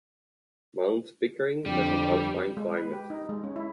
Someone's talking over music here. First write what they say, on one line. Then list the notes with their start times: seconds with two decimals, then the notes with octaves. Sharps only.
Mount Pickering has an alpine climate.
1.66 F2 D3 G3 G4
2.57 G#3
2.77 B4
2.93 G4
3.10 D#4
3.29 G#3
3.44 C#4
3.56 E4